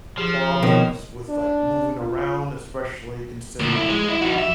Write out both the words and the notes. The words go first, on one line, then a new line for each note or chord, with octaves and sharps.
problems with, like, moving around, especially considering that I
F3 G4 G#4
B2 D#3 C5 C#5
D4
F4
D2 A#2
C#2 E4
G#3
E4
D#4 F#4
F2 E5